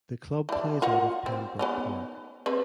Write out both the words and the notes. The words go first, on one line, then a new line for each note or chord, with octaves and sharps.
The club plays out of Pembroke Park.
E3 D4
F4 A#4 F#5
C4
B3 C#4 D#4
C4 G#4 B4